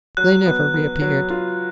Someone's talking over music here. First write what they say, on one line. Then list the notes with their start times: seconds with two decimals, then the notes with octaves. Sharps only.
They never reappeared.
0.17 F#3 F#6
0.46 B3
0.74 B3
1.01 F#3
1.30 F4